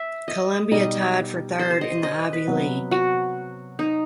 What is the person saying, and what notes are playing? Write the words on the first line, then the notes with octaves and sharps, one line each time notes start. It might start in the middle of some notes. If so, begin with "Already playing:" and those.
Columbia tied for third in the Ivy League.
Already playing: E5
D#5
B2 G3 D#4 D#5
C5
C5
D#5
D#5
B4
C3 F#3 B3
F#4
D#4